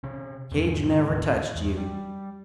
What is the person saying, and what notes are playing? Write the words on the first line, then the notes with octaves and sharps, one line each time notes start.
Cage never touched you!
C3 C#4
E2 G#2
D1 D#2 G#2 C#3
E2
G3